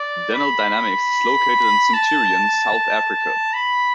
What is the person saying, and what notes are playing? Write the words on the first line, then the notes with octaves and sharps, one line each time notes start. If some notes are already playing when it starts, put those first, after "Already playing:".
Denel Dynamics is located in Centurion, South Africa.
Already playing: D5
B5
A5
B5